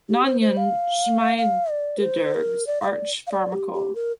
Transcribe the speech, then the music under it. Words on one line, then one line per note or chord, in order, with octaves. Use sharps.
Naunyn-Schmiedederg's Arch Pharmacol.
G4
C5
C5
F5
F5
D5
A#4
C5
A#4
D5
F5
D5
F5
D5
G4
G4
A#4